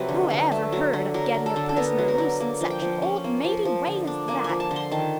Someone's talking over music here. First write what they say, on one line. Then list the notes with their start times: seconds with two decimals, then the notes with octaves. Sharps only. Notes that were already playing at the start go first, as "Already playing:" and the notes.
Who ever heard of getting a prisoner loose in such an old-maidy way as that?
Already playing: C3 F3 F#3 B4
0.09 D3
0.30 D3
0.52 A3
0.72 F#3
0.93 D3
1.14 F#3 A#4
1.34 D3
1.46 A4
1.56 D3
1.69 A4
1.76 B3 A#4
1.98 F#3
2.08 A#4
2.18 D3
2.40 A#3
2.61 F3
2.71 G5
2.82 F3
3.02 C#4
3.24 A#3
3.44 F3
3.65 F3
3.87 D3
4.07 D4
4.28 A#3 G#5
4.44 F3 G#5
4.60 A5
4.71 D3
4.76 C6
4.92 D#3 A5